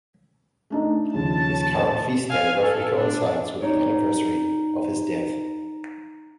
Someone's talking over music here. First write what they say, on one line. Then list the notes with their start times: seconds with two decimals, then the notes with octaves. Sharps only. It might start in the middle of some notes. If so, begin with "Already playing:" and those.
His current feast day roughly coincides with the anniversary of his death.
0.70 A3 D4 D#4
1.14 D#2 C#3 F3 C#4 A5
2.30 F5 G#5
2.61 A4
2.97 D4
3.61 D#4 C#5 D5